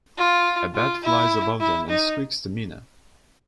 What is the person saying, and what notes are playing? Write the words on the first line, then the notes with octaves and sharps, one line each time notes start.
A bat flies above them and squeaks to Mina.
F4
F4
E4
E4
D#4